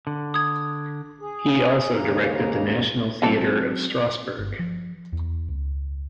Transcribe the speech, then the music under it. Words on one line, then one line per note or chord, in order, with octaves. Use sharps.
He also directed the National Theatre of Strasbourg.
D3
D#6 G#6
G#4
D#2 G#2 C#3 A#3 A#5
E3 F#3 C4 C#4 A4
G1
F3
E2
C#2